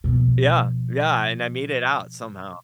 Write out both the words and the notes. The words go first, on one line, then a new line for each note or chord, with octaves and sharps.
Yeah. Yeah, and I made it out, somehow.
B2 F3